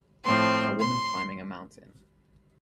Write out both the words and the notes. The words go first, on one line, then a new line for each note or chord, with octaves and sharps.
A woman climbing a mountain.
A2 F3 C4 C6
C6